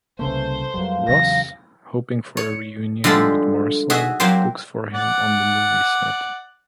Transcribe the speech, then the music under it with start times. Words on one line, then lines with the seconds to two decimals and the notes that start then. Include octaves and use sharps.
Ross, hoping for a reunion with Marcel, looks for him on the movie set.
0.19 C2 C#3 A3 A#3 B4 C5 G#5
0.74 F2 F#3 G3 A#3 B4 F#5
1.09 E2 C#3 F#3 G4 A#4 F5 A#6
2.37 C#5
3.04 D3 F3 G3 G#3 A4
3.90 F#4 G#4 D#5 E5
4.20 F#3 A#3 C4 G4 C5
4.94 D5 F#5